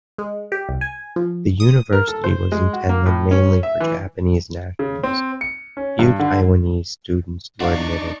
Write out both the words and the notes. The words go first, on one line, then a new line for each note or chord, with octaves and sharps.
The University was intended mainly for Japanese nationals; few Taiwanese students were admitted.
G#3
G4
C2
G#5
F3
D#6
A#4
A4
C5
G#3
F#4
A#3
A2
C#4
E5
E3
C#3
C4
C#7
C#4
G2
D3
D4 D#4 F#4 C5 D5 F5 C#6